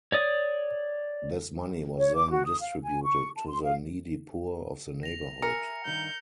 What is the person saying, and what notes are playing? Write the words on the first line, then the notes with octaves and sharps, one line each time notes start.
This money was then distributed to the needy poor of the neighborhood.
C#5 D5 D#6
C#5
D6
F#4
D#6
F5
G#5
C#6
A5
C6
F5
A#6 F7
A#4 E5 G#5 A#5 C#7
G2 D#3 G6